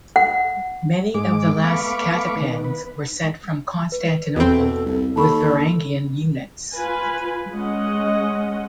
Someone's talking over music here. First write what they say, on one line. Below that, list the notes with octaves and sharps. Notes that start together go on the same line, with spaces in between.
Many of the last catepans were sent from Constantinople with Varangian units.
F#5
G#2 G#3 D6
A3 B3 F5 B5 C#6 D6
D#3 B3
B4
B4
E2 B2 C4 A4
C2
D#2 A4 A5 B5 C#6
F4 B4 G#5
G#3 C#4 D#5 F#5